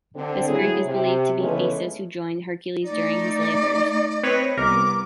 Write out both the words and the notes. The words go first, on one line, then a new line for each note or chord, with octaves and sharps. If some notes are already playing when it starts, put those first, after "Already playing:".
This Greek is believed to be Theseus, who joined Heracles during his labors.
D3 C4
A2 F#3 E4 G#4
C3
C#3 E3 G#3 A3 B3 C#4
A3 D#4 D5
C4 B4 C#5 D#5
C2 B3 A#4 D6